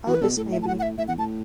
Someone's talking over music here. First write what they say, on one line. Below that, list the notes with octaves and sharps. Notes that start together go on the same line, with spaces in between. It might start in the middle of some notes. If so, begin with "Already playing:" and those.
Elvis maybe.
E3 F#4
B4
B2 A4
A2 A4
E5
A5
F#5
F#5
E5
A2 E5
E2 F#5
A2 A5